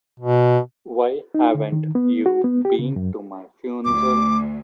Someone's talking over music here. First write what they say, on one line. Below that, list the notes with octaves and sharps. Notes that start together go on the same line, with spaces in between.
Why haven't you been to my funeral?
B2
D#4
D3
D#3
B3
F#4
B3
G4
C#3
F#2
D2 D6